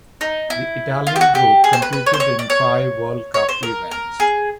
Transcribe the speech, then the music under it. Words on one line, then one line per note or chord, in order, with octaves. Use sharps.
The Italian group competed in five World Cup events.
D#4
E4
F4
G4
F#4
G4
G#4
C5
B4
B4
C#5
C5
C#5
D5
C#5
C#5
C5
A#4
A#4
G#4